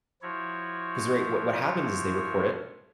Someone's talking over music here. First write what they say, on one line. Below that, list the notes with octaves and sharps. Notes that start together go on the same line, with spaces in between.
'cause, right, what what happens is they record it,
F3 E4 F#4 C#5